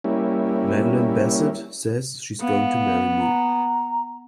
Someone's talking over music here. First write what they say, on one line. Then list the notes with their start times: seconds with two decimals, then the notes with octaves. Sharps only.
Madeline Bassett says she's going to marry me!
0.04 G3 A#3 C#4 E4
2.41 B3 F5
3.19 A#5